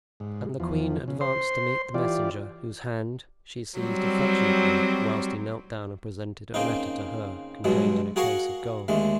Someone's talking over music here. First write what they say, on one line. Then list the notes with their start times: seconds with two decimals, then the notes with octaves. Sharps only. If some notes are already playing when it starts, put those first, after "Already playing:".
And the queen advanced to meet the messenger, whose hand she seized affectionately, whilst he knelt down and presented a letter to her, contained in a case of gold.
0.20 G#2
0.60 E2 F3
1.08 C#3
1.21 C5 C6
1.94 E3 F4 G4 D5
3.79 F#3 G3 C4
6.54 C#3 A#3 C4 D#4
7.64 G2 B2 F#3 G#3
8.16 F#4 G#4 A#4 F5 F#5 C#6
8.88 D#2 D3 G#3 A3